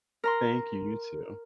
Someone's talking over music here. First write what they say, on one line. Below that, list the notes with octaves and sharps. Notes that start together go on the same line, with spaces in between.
Thank you, you too.
A#4 A#5 C6